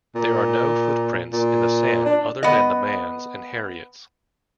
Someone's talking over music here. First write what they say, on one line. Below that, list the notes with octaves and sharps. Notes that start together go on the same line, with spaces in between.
There are no footprints in the sand other than the man's and Harriet's.
A#2
A#2
D4
B3 D#5